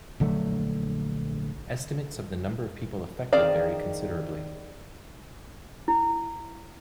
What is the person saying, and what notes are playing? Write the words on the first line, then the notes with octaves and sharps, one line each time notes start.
Estimates of the number of people affected vary considerably.
A#1 D3 F#3 A3
D#3 C4 G#4 D5 F5
E4